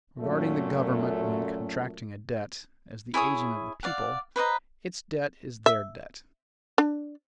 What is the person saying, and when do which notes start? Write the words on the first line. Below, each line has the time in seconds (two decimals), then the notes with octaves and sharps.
Regarding the Government when contracting a debt as the agent of the people, its debt is their debt.
0.20 F#2 A#2 A3
3.14 E4 G#4 C#5 D#6
3.83 D5 F5 F#5
4.36 B4 C5 D#5 A#5
5.66 E5
6.78 D4